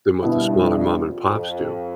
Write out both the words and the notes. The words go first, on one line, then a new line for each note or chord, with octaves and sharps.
than what the smaller mom-and-pops do.
G2 B2 B3 E4
F2